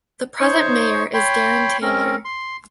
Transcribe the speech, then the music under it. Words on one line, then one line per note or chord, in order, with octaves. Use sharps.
The present mayor is Darin Taylor.
D#4 C5 C#5 C#6
C#5 G5 B5 C6
C4 C#4 A#4
C6